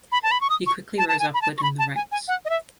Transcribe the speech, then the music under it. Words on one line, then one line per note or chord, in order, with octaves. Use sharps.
He quickly rose upwards in the ranks.
B5
A5
B5
C#6
D#6
C#6
A5
A5
G#5
B5
A5
C#6
B5
A5
G#5
G#5
F#5
D#5
E5